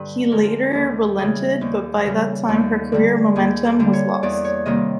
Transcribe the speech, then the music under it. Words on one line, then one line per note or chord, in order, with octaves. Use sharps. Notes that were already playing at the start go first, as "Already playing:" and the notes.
He later relented but by that time her career momentum was lost.
Already playing: G2 D3 B4
D3 F3 G#3 A#4
D#2 A4
C#3 E3 G3 G#4
D#2
C#3 E3 G3
D#2
D3 G3 A#3
D#2 G#4
A4
D3 G3 A#3
C#5
E2 D5
C#5
C3 D#3 G3 A#3 D#5